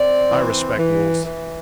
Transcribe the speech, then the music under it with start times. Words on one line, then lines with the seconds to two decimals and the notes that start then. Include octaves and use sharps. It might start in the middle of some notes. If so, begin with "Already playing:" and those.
I respect wolves.
Already playing: C4 D5
0.30 E3
0.77 E3
1.24 E3